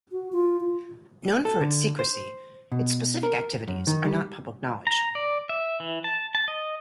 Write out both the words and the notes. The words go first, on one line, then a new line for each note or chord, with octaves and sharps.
Known for its secrecy, its specific activities are not public knowledge.
F#4
F4
F4
A4
D3
C5
B2
A#4
F#2
D#3
G3
A#5
D5
E5
E3
A5
A5
D#5